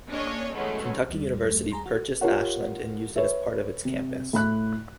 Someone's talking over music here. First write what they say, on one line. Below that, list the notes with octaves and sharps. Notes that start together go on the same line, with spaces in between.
Kentucky University purchased Ashland and used it as part of its campus.
A#3 C#4 D4 G#4 C#5 D#5
B2 E3 F#3 G#3 A3 C#4
D#2 G3
F#2 A3
G#4 A#5 C6
F#4
F4 G4 A#4 C#5 F#5
B4 C#5 E5
C3
A2 B5 F#6